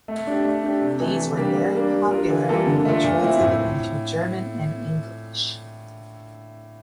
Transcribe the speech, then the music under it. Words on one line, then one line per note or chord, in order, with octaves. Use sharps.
These were very popular and were translated into German and English.
A3
D4 G4
A3
D4 G4
C3
E3 A3
C3
G3 A#3 D4 G4
G3
A#3 D4
G3
D4 F4 A#4
E3
G3 A#3 F4 A4
D3
A3 D4 F4 A#4
A#2
A3 C4 E4
A2